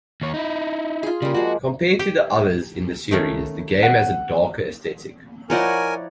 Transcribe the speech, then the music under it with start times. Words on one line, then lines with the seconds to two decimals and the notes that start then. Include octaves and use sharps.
Compared to the others in the series, the game has a darker aesthetic.
0.22 D#2 C#5
0.34 D#4 E4
1.03 F4 G#4
1.22 C#3 G3 A#3
1.34 F3 G#3 F#4
1.99 G4
3.11 D#3 A3 C#4
3.83 F#5
5.50 F3 D#4 E4 A#4 C#5 D5 F#5 G#5